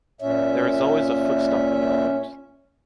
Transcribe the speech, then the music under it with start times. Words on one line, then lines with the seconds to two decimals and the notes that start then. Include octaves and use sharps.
There is always a "foot stomping" element.
0.21 A#2 C#4 E5